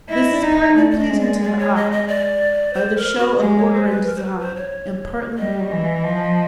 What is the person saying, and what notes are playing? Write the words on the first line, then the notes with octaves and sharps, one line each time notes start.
This is partly pleasing to the eye, by the show of order and design, and partly moral.
E4 D#5
D5
D#4
A3 D5
D5
D#5
G#3
D5
D5
C#5
D#5
D#5
D5
C5
A#4
F#4
G#3 G4
C#5
C5
B4
A#4
C5
B4
C5
C#5
G3 D#5
E3
F3